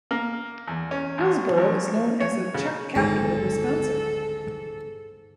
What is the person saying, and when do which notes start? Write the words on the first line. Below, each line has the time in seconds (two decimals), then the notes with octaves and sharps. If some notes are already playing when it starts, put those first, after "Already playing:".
Hillsboro is known as the Czech Capital of Wisconsin.
0.11 A#3
0.68 E2
0.91 C#4
1.18 A1
1.57 A1
2.20 C#5
2.54 C#3
2.95 D1 G1 G#2 D#3 A4